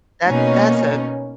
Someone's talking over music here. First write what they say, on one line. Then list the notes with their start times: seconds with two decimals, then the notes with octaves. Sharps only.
that that's a
0.25 B2 A#3 C#4 D#4